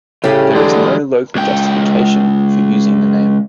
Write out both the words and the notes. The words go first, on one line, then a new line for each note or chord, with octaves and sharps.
There is also no local justification for using the name.
A2 C#3 G3 G4 G#4
D3 E3 F#3 G#3
C#2 G5